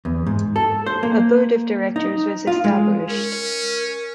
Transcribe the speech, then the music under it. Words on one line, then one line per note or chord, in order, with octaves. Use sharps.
A board of directors was established.
E2
G#2
A4
C5
A#3
D#4
F4
G#3
C#4 A#4